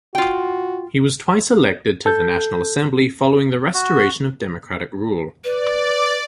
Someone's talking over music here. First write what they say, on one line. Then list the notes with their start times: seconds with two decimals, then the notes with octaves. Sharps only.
He was twice elected to the National Assembly following the restoration of democratic rule.
0.15 F4 F#4 G5
2.06 A4 G6
3.74 F#4
5.44 B4 D5